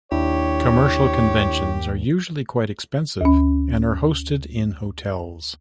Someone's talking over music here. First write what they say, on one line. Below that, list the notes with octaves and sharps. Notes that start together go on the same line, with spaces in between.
Commercial conventions are usually quite expensive and are hosted in hotels.
D#2 D4 E4 G4 C#5
D2 C#4